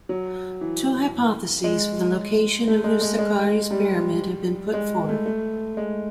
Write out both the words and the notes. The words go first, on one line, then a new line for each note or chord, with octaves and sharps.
Two hypotheses for the location of Userkare's pyramid have been put forth.
F#3
E3
G#3
A3
G#3
G#3
G#3
G3
G#3
A3
A3
G#3